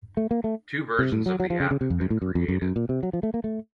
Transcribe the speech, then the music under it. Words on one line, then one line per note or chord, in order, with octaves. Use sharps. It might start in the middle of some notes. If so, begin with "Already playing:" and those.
Two versions of the app have been created.
A3
A#3
A3
C3
A2
F#3
F#3
F3
C#3
C#3
C3
F2
F#2
A2
F#2
F2
F#2
F#2
A#2
C3
F#3
F3
A3
A#3
A3